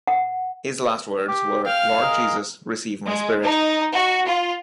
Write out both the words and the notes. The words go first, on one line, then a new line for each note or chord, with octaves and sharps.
His last words were "Lord Jesus, receive my spirit".
F#5
G4
F5 G5 F6
G#4 A#4 D#5
G#3
D#4
F#4
F4